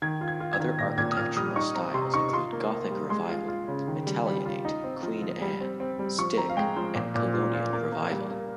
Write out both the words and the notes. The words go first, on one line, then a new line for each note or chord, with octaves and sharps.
Other architectural styles include Gothic Revival, Italianate, Queen Anne, Stick and Colonial Revival.
D#3 G#6
F4
G#6
F4
G#6
D#3
A#2 A#6
A#2 G#6
D#6
A#2 F6
G3 D#6
D#4 C#6
C4 A#5
C3 C6
D#4 C#6
F4 C6
A#3
A#3
G3
G#3 C6
F4
F4
C#3
D#3
G3
G3
F4
D#4
C4
F3
F3
G3
C4
C4
G3
F3 C#6
C4 A#5
F5
G#3 G5
F3 C5
A#2
A#2
F4
F4
A#3
A#3
G3
A#3